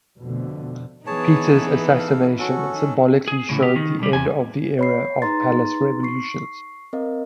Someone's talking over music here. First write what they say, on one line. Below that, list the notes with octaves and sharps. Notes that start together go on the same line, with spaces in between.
Peter's assassination symbolically showed the end of the era of palace revolutions.
F2 B2 D3 A3
E3 B3 D#4 G#4 C#5 A5
A4 F5
C#4 F#4 A4
D#3
G#4
A2 C#3
G4
D#3
B1 G3
E2 G#5
C#5 B5 C7
D#4 G#4 B4 A#5 C6 A6
C#6 C7
C4 A#4 D#5 F5